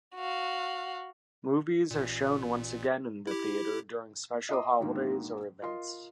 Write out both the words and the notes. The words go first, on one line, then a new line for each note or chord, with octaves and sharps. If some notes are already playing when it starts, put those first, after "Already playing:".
Movies are shown once again in the theatre during special holidays or events.
F#4 F5
A1 A#2
E4 G4
D#5 E5 A#5 C6 D6 D#6
G#2 B2 D3 D#3 F#3 A#3
F4 A#4 D#5 C6